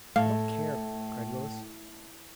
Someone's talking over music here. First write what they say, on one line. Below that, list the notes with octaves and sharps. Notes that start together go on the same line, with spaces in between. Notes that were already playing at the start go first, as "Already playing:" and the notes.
"I don't care!" cried Willis.
A2 A3 F5